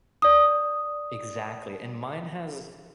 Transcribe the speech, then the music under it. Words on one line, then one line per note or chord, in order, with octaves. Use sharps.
Exactly, and mine has
D5 D#6